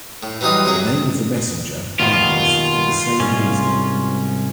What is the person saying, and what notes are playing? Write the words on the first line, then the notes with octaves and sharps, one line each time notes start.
The name of the messenger, Barnabas, for the same reason.
A2
E3 F#3 G3 D#4 F4 D#6
C3 F#3 G#4
D#2 B2 D#3 F4
C2 G#2 C#4